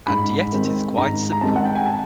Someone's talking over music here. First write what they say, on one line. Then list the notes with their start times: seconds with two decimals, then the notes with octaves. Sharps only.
And yet it is quite simple.
0.07 G#2 B5
0.52 D#3 G#3 C4
0.97 G#2 A#5
1.32 A#5
1.41 D#3 G#3 C4 A5
1.56 F#5
1.65 G5
1.75 G#5
1.86 A5